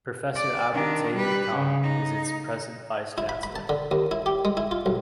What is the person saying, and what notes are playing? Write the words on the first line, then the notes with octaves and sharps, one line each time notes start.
Professor Abu Taleb Khan is its present vice chancellor.
D5
D#3 D4
G3 B4
C#3
D#4
E4
B5
B5
A5
D3
D#2
E4
G4
G#3
E4
F4
B1